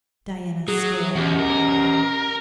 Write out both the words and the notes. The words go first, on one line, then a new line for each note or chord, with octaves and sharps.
Diana stared.
F#3 G#4
E2 C#4 G4 F#5
A#4